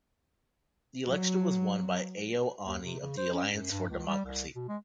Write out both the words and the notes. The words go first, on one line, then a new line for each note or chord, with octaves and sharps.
The election was won by Ayo Oni of the Alliance for Democracy.
F#3
D#2
C3
C#3
C5
C#4
F#2
G2
C#2
G3
C2
B2
G#3